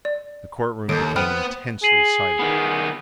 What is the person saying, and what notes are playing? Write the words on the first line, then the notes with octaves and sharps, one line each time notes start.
The courtroom became intensely silent.
D5
D#2 A4 G6 D7
B3 C5 G5 B5 F6
G#4 C7 D#7 F#7
D#3 B3